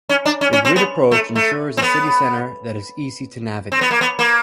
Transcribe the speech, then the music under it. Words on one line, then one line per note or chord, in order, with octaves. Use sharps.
The grid approach ensures a city center that is easy to navigate.
C#4
D4
C#4
C#4
C4
B3
A3
A3
C4
B3
C4
B3
A#3
B3
A#3